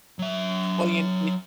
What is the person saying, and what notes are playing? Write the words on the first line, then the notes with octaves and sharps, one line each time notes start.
Well, you in i
F#3 E5